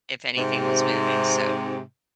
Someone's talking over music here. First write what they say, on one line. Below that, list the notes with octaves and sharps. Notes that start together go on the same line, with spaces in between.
if anything was moving, so,
G#2 C3